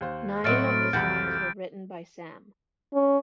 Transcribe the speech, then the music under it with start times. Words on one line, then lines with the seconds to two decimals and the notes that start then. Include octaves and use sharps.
Nine of the songs were written by Sahm.
0.01 D#2 C5
0.44 A2 F#3 C4 D#5 E5 F6 A6 D7
0.93 C2 F2 E3 F#4 G6 A6
2.94 C#4